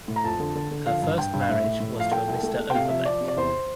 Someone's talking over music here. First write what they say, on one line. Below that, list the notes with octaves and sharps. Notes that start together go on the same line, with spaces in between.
Her first marriage was to a Mr. Overbeck.
A2
A#5
F2 A5
D3
D3
D3
F3 F5
G2
G2 G5
G2
F5
A2 E5
A2
A2
F3 F5
A3 G5
C2
A3
A3
G5
C3 F5
F3 E5
F3 D5
C3
D5
E2 C5